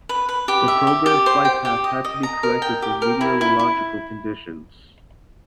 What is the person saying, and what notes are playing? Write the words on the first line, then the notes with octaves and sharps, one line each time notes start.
The programmed flightpath had to be corrected for meteorological conditions.
B4
B4
G4
E5
G4
G4
C5
G5
G4
D#5
D#5
A#5
A#4
G5
G4
A#4
E4
E4
E4